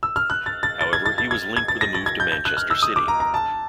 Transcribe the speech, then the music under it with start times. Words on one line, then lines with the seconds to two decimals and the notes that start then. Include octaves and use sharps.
However, he was linked with a move to Manchester City.
0.03 E6
0.16 F6
0.30 F#6
0.46 A6
0.63 A6
0.81 A6
0.93 G#6
1.06 A6
1.18 A6
1.31 G#6
1.57 G#6
1.68 A6
1.81 A#6
1.95 A6
2.06 G#6
2.20 G6
2.32 G6
2.45 F#6
2.57 F6
2.70 E6
2.83 D#6
2.96 D6
3.08 A#5
3.20 A#5
3.34 A5